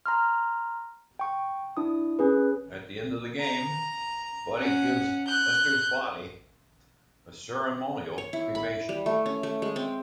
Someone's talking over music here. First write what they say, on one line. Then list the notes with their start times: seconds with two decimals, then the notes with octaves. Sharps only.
At the end of the game, Buddy gives Lester's body a ceremonial cremation.
0.06 A#5 C6 F6
1.19 G5 C#6
1.77 D4 E4 D#6
2.19 C#4 G#4 B4
3.41 A#5
4.58 C#4 F#5
5.27 F#6 G6
8.18 C#5
8.33 E4
8.55 B5
8.89 G3
9.06 A3
9.26 C#4
9.43 A3
9.62 G#3
9.76 C4